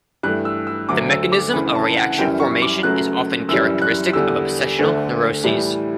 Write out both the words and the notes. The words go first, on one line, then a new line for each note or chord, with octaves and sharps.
The mechanism of reaction formation is often characteristic of obsessional neuroses.
G2 E3 A3 F#6
E6
E6
D2 D3 F#3 D6
E6
D6
D2 C#3 E3 B5
A5
F#5
F#2 E3 G3 G5
C#6
D6
C#2 C#3 F#3 A3 F#6
F#2 E3 G3 E6
F#6
E2 D3 G3 E6
D2 D3 A3
A2 E3 G3